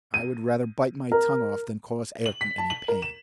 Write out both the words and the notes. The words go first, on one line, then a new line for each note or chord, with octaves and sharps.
I would rather bite my tongue off than cause Ayrton any pain!
D#7
A#4
F#7
B6
A5
F#7
A#4
E7